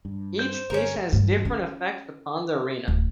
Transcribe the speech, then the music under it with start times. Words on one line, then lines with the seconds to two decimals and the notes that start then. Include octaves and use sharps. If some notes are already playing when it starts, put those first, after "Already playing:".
Each Piece has differing effects upon the arena.
0.05 G2
0.39 C5 G6
0.70 G1 C#4 A#4
1.12 G2 E3
1.45 C#4
2.88 D1